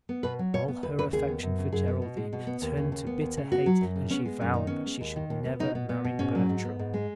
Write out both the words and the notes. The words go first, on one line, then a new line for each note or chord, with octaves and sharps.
All her affection for Geraldine turned to bitter hate and she vowed that she should never marry Bertram.
B3
B2 B4
F#3
B2 C#5
B3
D#2 B4
C#3 B4
D#2 G#4
B3
F#2
C#3
F#2 G#4
B3
B2
G#3
B2
B3
D#2
C#3
D#2
B3
D#2
C#3
B3 F#4
F#3
F#2
C#3
B3 C#4
G#3
F#2 C#4
D#3 D#4
B3 C#4
G#3
D#2
D#3
D#2
B3
B2 D#4
B3
B3
B2
G#2 C#4
F#3
G#2
B3
G#2
G#3